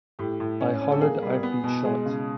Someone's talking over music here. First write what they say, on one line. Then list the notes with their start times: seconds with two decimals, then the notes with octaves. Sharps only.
I hollered 'I've been shot!
0.19 A2 G4
0.40 A2
0.61 C#4
0.81 C#4
0.92 A4
1.01 A#3 G#4
1.22 G3
1.43 B3
1.64 B2
1.84 G#3 G#4
2.05 C#3